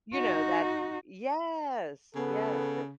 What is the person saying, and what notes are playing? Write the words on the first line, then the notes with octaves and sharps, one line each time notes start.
you know, that yes, yes, to
D#4 F#4
C#3 B3 A4